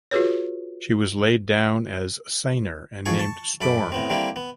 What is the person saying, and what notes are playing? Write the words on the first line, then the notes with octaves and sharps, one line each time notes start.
She was laid down as seiner and named "Storm".
F4 F#4 G#4 B4 C#5
A1 F2 G#4 A4 G#5 C#6
A5 C#6
F#2 A4 B5 D6
A2 B3 C4
D3 G3 A#3 C4 E4
B3